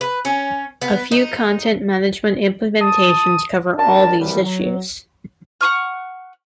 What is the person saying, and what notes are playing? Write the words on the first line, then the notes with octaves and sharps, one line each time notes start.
A few content management implementations cover all these issues.
B4
C#4
B3
D#4
A5 D#6
F#2 D4 A#4 A5
C2 F#2 E3 F3 G3
F#3
F#5 G#5 C#6 F6